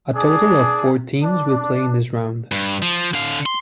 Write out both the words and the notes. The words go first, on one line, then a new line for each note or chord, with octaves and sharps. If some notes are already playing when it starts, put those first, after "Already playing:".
A total of four teams will play in this round.
D4 G#4
D4
G2
F3
D3 F5
C6